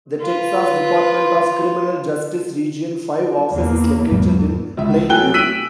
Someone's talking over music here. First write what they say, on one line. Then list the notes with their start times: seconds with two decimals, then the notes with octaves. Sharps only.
The Texas Department of Criminal Justice Region Five office is located in Plainview.
0.22 F4 B4
3.55 E2 A#3
4.11 E2 G#2 F#3 G#3
4.77 C#2 E5
5.09 F#3 A3 G5 G#5 F#6 G7
5.34 E6 B6 D7 D#7 F#7